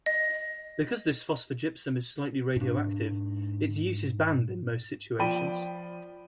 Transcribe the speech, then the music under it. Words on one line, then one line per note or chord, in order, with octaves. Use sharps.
Because this phosphogypsum is slightly radioactive, its use is banned in most situations.
D#5
G#2 D4
F3 D5 G5 B5 D#7